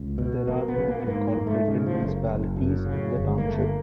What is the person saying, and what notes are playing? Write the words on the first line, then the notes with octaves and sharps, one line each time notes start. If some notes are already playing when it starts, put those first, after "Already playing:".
There are no incorporated municipalities in the township.
Already playing: C#2
B2
A#1 A#3
B3
A#1
A#3
B3
G#2 A#3
A#3
G#2
A3
C#3 G#3
F3
F#1 A3
A#3
F#1
F#2
C#3
G1
A#3
G1 A3
A#3